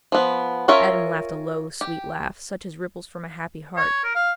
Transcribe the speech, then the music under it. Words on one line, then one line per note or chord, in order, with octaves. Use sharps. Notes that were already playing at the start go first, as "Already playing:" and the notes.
Adam laughed a low, sweet laugh, such as ripples from a happy heart.
F3 B3
C#4 F4 A#4 C#5 E5
G4
C#5
A#4
F5